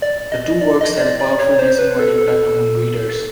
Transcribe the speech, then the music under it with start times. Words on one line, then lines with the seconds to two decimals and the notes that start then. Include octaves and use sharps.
The two works had a powerful nationwide impact among readers.
0.02 D5
0.32 D#5
0.61 D5
0.81 D#5
1.00 D5
1.20 D5
1.39 C#5
1.59 C5
1.79 B4
1.99 A4
2.18 A4